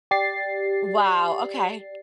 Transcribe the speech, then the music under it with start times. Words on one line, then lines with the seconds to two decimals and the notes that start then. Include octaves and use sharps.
Wow, okay.
0.11 G4 D5 A6 C7